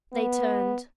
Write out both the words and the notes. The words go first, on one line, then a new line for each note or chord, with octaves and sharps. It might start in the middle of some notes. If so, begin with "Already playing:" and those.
They turned.
B3